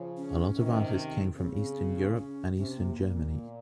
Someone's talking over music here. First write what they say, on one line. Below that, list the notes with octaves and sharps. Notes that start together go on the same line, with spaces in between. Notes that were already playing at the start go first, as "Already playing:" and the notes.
A lot of artists came from Eastern Europe and Eastern Germany.
Already playing: C#3 F3
C#4
C3 D#3
C#3 C4
C4
C4
C#4
C3 C#4
A#3
A#2